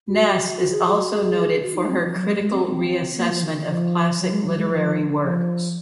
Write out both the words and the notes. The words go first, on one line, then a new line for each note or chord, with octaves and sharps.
Ness is also noted for her critical reassessment of classic literary works.
F#4
F#4
G#4
G#4
F#4
G#4
F#4
D#4
C4
F3
F#3
G#3
G#3
C4
C4
A#3
F3
D#3
D#3
F3
F#3
G#3
F#3
G#3
F3
F3